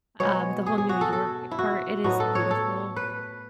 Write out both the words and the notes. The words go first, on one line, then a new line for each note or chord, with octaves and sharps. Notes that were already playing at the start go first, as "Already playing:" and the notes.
um, the whole New York part, it is beautiful,
B2 G#3 B3 C#5
G#4
G#4
F#4
A4
A4
E4
F#4
A2 F#3 B3 D#4 F#4
A4
C#5
A4
B4